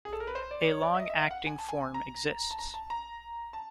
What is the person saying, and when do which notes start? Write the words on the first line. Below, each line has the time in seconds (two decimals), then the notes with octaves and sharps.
A long acting form exists.
0.05 G#4
0.13 A4
0.20 A#4
0.27 B4
0.35 C5
0.51 D5
0.61 D5
0.67 C#5
0.83 D5
0.95 E5
0.99 D#5
1.10 E5
1.20 F5
1.31 F#5
1.47 G#5
1.58 A5
1.69 G#5
1.94 A#5
2.51 A5
2.59 A#5
2.74 A5
2.90 A#5
3.53 A5